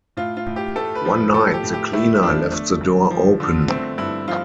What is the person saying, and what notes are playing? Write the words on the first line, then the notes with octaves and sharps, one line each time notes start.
One night the cleaner left the door open.
A2 F4
F4
A2
G4
A3 A4
B4
F3
B4
A2 A4
G4
A2
G4
A3 E4
F3 D4
A3
G2
F3
D3
A3 C4
G2 E4
F3 F4